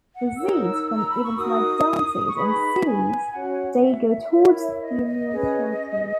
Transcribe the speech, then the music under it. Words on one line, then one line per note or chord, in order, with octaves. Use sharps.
Proceeds from events like dances and civies day go towards the annual charity.
F#5
D#4 A#4 C#5 E6
A#5
B5
C#6
D#4 F#4 A#4 D#6
C#6
D#4 G#4 B4 B5
G#5
C#4 F#4 C#5 F#5
E5
E4 A#4 C#5
D#5
D#5
C#4 G#4 B4 D#5